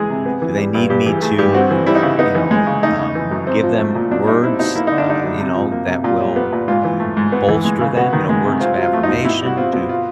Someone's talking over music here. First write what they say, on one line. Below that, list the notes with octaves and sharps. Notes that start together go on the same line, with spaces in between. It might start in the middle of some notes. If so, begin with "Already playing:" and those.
do they need me to, uh, you know, um, give them words, uh, you know, that will u e bolster them? You know, words of affirmation? Do
Already playing: E3 G#3 G#4
C3
B3
E3
G3
G2
G2 G4
E3 G#4
A3 G#4
G2 G4
C4 F#4
E3
G3 E4
D#4
C#3 E4
B3 D#4
E3
G#3
C#3
A3 D#4
C#3
E3
F#2
C4
F3
A3
A#2
B2 D4
G3 D#4
C4 E4
B2 D#4
A#3 E4
D3 D#4
D4
G3 D#4
F#2
C3
F3
A#3
C3
A#2 F4
G3
B3
A#2
G#2 F4
E3
A3
G#2
B3
E3
G#3
C#3
B3 F#4
D#3
G#3
C3
C4 F4
F#3
F4
A3
D#4
B2
B2 E4
G3 F#4
C4 F4
B2
F4